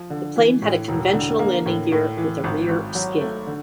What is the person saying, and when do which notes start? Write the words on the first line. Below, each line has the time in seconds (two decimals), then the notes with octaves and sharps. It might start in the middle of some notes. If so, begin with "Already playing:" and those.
The plane had a conventional landing gear, with a rear skid.
Already playing: F3
0.10 D3
0.36 E3
0.62 A2
0.88 E1
1.14 D3
1.39 A#3
1.66 A2
1.92 A2
2.17 E3
2.44 G#1
2.69 G#1
2.95 F#3
3.21 A3
3.47 D3